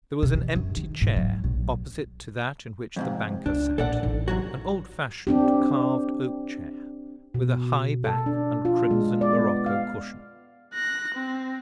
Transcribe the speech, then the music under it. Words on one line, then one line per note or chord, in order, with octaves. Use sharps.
There was an empty chair opposite to that in which the banker sat; an old-fashioned, carved oak-chair, with a high back and crimson-morocco cushions.
C3
E3
F#2
D#3
G#2
F#3
A#1
F2 G#2 C3
C#2 D4
A#1 A4 D5 F#5
A1 D#4
C3 F#3 F#4
C4 D4 G4
B2
A4
D4
F4
G#3
D5
B3
F5
F#6 A#6
C4